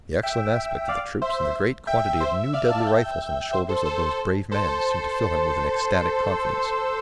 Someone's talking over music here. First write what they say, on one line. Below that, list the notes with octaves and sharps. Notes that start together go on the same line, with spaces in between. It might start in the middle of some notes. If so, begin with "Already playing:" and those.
The excellent aspect of the troops and the great quantity of new deadly rifles on the shoulders of those brave men seemed to fill him with an ecstatic confidence.
E5 G5
D5 F5
C5 E5
E5 G5
E5 G5
C5 E5
D5 F5
F5 A5
E5 G5
C5 E5
A4 C5
A4 C5
A4 C5
A4 C5